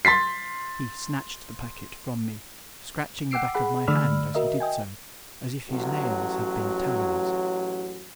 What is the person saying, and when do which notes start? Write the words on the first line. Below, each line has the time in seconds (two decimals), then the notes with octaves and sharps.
He snatched the packet from me, scratching the back of my hand as he did so, as if his nails had been talons.
0.05 C6 A6 B6 C7
3.31 F#5 G5 D6 E6 C7 D7
3.55 G#4 F#5 B5
3.88 D3 A3 D5 B5 E6 F6
4.35 F#4 A#4 D#5 E5
4.60 D#5 G5 G#5
5.70 A1 F#3